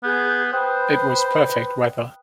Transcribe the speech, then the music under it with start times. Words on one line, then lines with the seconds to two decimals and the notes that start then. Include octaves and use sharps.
It was perfect weather.
0.03 B3 G#4 G6
0.52 B4 C5 G5 D#6 F#6